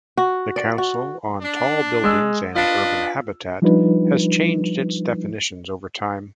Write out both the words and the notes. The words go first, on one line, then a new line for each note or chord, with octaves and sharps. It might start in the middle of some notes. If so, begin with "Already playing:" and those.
The Council on Tall Buildings and Urban Habitat has changed its definitions over time.
F#4
D5
F#4
D4
G#3 E6
D4 F4 B4 D#5
F3 G3 D4 D#4 F4 B4